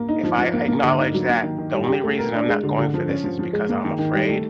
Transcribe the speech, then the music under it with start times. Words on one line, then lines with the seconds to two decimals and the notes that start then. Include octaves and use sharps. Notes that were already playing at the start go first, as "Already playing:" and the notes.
If I acknowledge that the only reason I'm not going for this is because I'm afraid,
Already playing: A#3
0.09 D#4
0.23 F3
0.38 F3
0.53 A#3
0.68 A#3
0.84 D3
0.99 D#4
1.14 F#3
1.29 A#3
1.43 D#3
1.58 D#3
1.73 G3
1.89 G4
2.03 A3
2.18 A#4
2.33 D4
2.48 G#3
2.63 D3
2.79 D3
2.94 F3
3.09 C#4
3.24 F3
3.39 F3
3.53 G#3
3.69 A#3
3.84 D#3
3.99 D#3
4.14 G3
4.28 A3